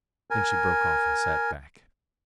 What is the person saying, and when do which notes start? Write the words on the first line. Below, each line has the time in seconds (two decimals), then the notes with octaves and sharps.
Then she broke off and sat back.
0.30 A#4 G#5